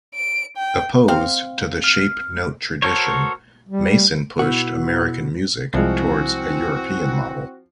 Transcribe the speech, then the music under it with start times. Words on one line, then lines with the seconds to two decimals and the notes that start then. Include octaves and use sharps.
Opposed to the shape-note tradition, Mason pushed American music towards a European model.
0.14 D7
0.57 G5
1.08 C4 F5
1.84 F6
2.82 F#4 A4 A#4 C5 C#5
3.69 G3
4.39 B2 B3 E4 F#4
5.74 C2 F3 G#3 C4 E4 F#4 G#5